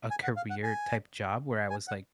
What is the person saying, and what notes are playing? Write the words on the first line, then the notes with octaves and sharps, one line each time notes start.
a career-type job where I was like,
G#5
F#5
F5
F#5
G#5
G#5
F#5